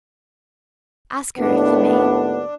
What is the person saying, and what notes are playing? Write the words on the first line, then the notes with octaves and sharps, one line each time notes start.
"Ask her if you may."
D#2 A2 B3 D4